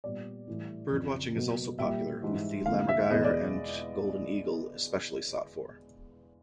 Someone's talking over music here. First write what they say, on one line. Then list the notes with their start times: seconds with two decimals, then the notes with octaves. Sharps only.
Birdwatching is also popular, with the lammergeier and golden eagle especially sought for.
0.04 A#2 G3 B3 D5
0.48 A2 E3 G3
0.91 F2 C#3 E3
1.35 B2 F#3 A#3
1.79 A#2 G3 A#3 E5
2.23 G#2 E3 G3
2.66 F2 D3 G3 A#3 F5
2.89 E5
3.10 E2 B2 G#3 B3 D#5
3.24 D5